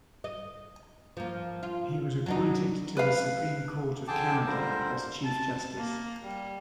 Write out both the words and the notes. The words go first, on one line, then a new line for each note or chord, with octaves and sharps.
He was appointed to the Supreme Court of Canada as Chief Justice.
D#5
F3 A#3
F4
F#3 D4 D#4
B4 F5
F2 D3 G#4 G5 A5 D6
D3 G3 F4 A#4 C5
A5
A#3
G3